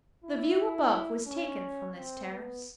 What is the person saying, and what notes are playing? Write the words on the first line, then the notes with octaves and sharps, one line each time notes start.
The view above was taken from this terrace.
E4
C#4
C4
B3